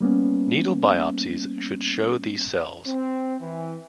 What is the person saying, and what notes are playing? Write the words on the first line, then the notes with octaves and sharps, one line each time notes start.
Needle biopsies should show these cells.
G3 A#3 B3 C#4
C4
E3